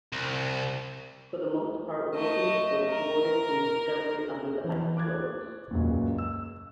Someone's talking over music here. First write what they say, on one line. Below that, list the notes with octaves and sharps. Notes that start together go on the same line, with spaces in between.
For the most part Wilkins was thwarted from discovery under the ice floes.
C2
A3 D#5
A#4
E3
D6 F#6 G#6 A6
C#2 F#2 A#2
E6